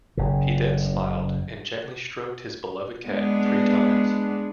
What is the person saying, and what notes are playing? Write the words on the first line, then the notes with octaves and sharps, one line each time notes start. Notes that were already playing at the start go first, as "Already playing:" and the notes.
He then smiled and gently stroked his beloved cat three times.
F#1 C#3
G#3 B3 D4